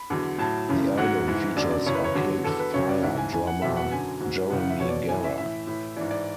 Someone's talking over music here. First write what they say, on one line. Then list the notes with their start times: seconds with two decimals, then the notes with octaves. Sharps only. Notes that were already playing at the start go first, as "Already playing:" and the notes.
The album features Arcade Fire drummer Jeremy Gara.
Already playing: B5
0.10 E2 D3 F#3
0.38 A2 F#3 A5
0.69 F#2 C#3 E3
0.97 G#2 F#3 F#5
1.28 G#2 E3
1.56 F#2 D3 F#3 D5
1.71 D5
1.86 F#2 C#3 E3 C#5
1.95 B4
2.04 C#5
2.15 E2 D3 F#3
2.44 E2 D3 F#3 A4
2.59 B4
2.74 F#2 C#3 F#3 C#5
2.89 D5
3.03 G#2 E3 E5
3.18 G#5
3.32 F#2 E3 G#5
3.47 F#5
3.62 E2 B2 F#3 E5
3.77 F#5
3.91 F#2 D3 F#3 G#5
4.20 G#2 F#3
4.50 F#2 C#3 E3 F#5
4.60 F#5
4.70 E5
4.79 E2 B2 F#3 C#5
4.89 D5
5.09 F#2 E3 G#5
5.24 E5
5.38 A2 E3 E5
5.67 A2 E3
5.97 G#2 E3 D5
6.11 D5